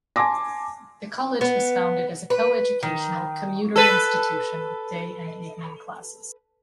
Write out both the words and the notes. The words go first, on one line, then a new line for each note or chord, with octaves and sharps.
The college was founded as a coeducational, commuter institution with day and evening classes.
G#5 A5 C6 D6 A#6
B3
B4
D#3
A4 B4